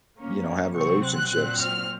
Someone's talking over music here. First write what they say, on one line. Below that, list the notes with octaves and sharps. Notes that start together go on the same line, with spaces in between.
you know, have relationships.
F#2 F3 A#3 C#4
C3 F#3 C4 C#6
F#6
A#2 F#3 C4
F6